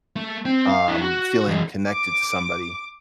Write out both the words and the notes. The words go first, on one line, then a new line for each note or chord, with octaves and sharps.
um, feeling connected to somebody.
A3
C4
F5
D4 E4
F#4
E3 G#3
D6